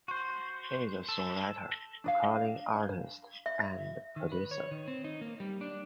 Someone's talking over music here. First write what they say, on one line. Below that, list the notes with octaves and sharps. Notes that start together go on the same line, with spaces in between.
He is a songwriter, recording artist, and producer.
F#4 C5
A4
D4 D#5 F5
E5
D#3
B4
C#5
D#3
C4
D#4
A#3
G3
D4